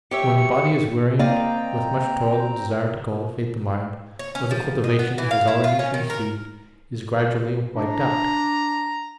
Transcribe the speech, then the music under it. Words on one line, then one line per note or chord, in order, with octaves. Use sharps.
When the body is wearied with much toil the desire to cultivate the mind, or the cultivation it has already received, is gradually wiped out.
G4 C#5 E5 C#7
A#3 C4 D5 D#5 F5 G5 A#5
C#5
C#4
F3
D#5
B3
E3
F5
E4
F4
C#4
D#3
A#4
D4 A#5